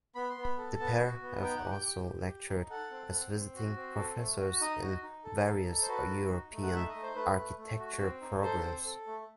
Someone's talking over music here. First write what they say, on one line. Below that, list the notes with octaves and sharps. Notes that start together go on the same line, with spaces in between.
The pair have also lectured as visiting professors in various European architecture programs.
B3 B5
C6
B3
B5
A4
B3 A5
F#4
B3
D#4 G5
F#5
G4
G5
G4
G4
G4
D#4
A4 F#5
C4
C4
C4
F#4
C4
A4
A3
F#4
D#4 D#5
F#4
D#4
A4
D#4
A4
C5
F#4 B4
D#4
D#4
A3
F#5
D#4 E5
D#5
A3
C5
A3 B4
A3
A3
F#4
C4
D#4
A4 C5
C4
A4
A3